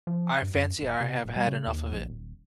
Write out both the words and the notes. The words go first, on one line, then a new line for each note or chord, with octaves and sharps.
I fancy I have had enough of it.
F3
G2
F#2
D#1
C3
D1
G3
C#3
D#2
A#1
D#1